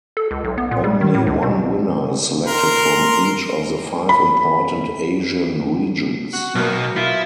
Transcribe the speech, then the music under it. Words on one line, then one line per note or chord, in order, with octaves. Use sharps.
Only one winner is selected from each of the five important Asian regions.
A4
C#2
B1
B3
A#2
G3
D#3
A2
C#2
B2
A#4 C6
B5
F#4
B1 B2 D#3 F#3 A#3
E4 F4 E5